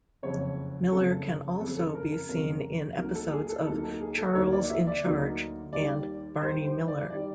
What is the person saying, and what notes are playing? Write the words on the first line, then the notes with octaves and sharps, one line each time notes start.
Miller can also be seen in episodes of "Charles in Charge" and "Barney Miller".
F#1 F2 C#3 C#5
F#1 F2 C#3 A4
F#1 F2 C#3 A4
A4
A#4
A#4
F#1 F2 C#3 A#4
D2 D3 F#3 A#3 D#4 A#4
A4
G#4
A4
D2 D3 F#3 A#3 D#4 A4
A4
G#4
A4
D2 D3 F#3 A#3 D#4 C#5
D5
E5
D5
D2 D3 F#3 A#3 D#4
D#2 D#3 G3 D5
D#2 D#3 G3 C5
C5
D5
D#3 G3 D5